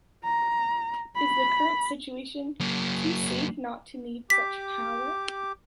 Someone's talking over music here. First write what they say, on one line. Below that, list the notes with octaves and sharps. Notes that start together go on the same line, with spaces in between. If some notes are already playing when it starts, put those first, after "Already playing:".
Is the current situation too safe not to need such power?
A#5
B5
F#3 A#3
G4 D6 B6